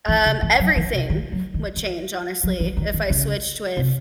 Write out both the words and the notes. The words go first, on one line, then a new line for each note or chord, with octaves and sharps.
um, everything would change, honestly, if I switched with
E3
C#3
E3
F#3
E3
C3
D#3
F#3
D#3
E3
F#3
E3
D#3
D#3
C#3
C3